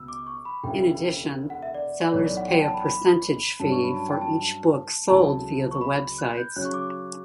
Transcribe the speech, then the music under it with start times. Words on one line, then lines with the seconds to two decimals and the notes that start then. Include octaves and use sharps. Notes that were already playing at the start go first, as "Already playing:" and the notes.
In addition, sellers pay a percentage fee for each book sold via the websites.
Already playing: C#2 B2 E6
0.08 D6
0.27 C#6
0.45 B5
0.64 E1 D2 C#3 G5
1.50 F#5
1.63 E5
1.74 D5
2.11 B1 A2 E3 C#5
2.25 D5
2.37 F#5
2.48 G5
2.61 A5
2.74 B5
2.86 B5
3.60 G2 F#3 C#4 A5
3.72 C#6
3.84 B5
3.96 A5
4.08 G5
4.21 A5
5.08 C#2 C#3 F#3 A3 E4 A5
5.71 C#6
5.81 B5
6.18 F#6
6.37 G6
6.56 C#3 F#3 C#4 F#6
6.65 C#6
6.74 D6